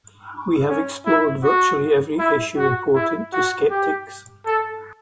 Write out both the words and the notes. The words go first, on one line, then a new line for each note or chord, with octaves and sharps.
We have explored virtually every issue important to skeptics.
C#4
E4
F#4
E4
F#4
E4
F#4
G4
A4